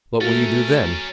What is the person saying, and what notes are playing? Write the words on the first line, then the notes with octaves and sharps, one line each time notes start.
"What will you do then?"
A3 C#4 F#4 A#4 A6